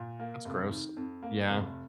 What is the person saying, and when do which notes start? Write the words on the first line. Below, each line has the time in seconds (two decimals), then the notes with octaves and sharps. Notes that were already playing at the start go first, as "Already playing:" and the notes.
That's gross. Yeah.
Already playing: A#2
0.20 A#3
0.45 F1
0.71 D#3
0.97 F2
1.23 A#3
1.48 F1